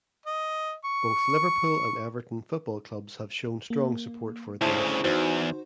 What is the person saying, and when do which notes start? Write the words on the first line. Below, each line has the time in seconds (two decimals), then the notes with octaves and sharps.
Both Liverpool and Everton football clubs have shown strong support for the initiative.
0.26 D#5
0.85 C#6
3.70 A#3
4.61 D2 C#3 E4 C5 A5
5.04 E2 D#4 F#4 C5